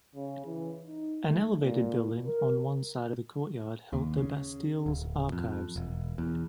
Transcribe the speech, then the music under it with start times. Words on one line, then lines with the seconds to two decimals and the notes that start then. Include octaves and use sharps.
An elevated building on one side of the courtyard held the Bastille's archives.
0.15 C#3
0.45 E3
0.83 D#4
1.28 A3
1.61 A#2
2.26 A#4
3.93 D#2
4.18 C#3
4.86 D1
5.32 F2
5.76 E1
6.18 E2